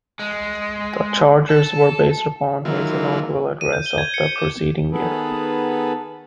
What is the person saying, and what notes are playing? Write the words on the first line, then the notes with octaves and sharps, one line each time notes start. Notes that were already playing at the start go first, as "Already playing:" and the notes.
The charges were based upon his inaugural address of the preceding year.
G#3
A4
D#3 F#3 G#3 A#3 E4 F4
D#7
G6
G7
G#6
C#7
D6
D#3 B3 G#4 A4 B4